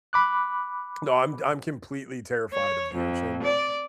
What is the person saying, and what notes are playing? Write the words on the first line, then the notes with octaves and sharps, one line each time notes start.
No, I'm I'm completely terrified of the ocean.
B5 D6 F#6
C#5
F2
D5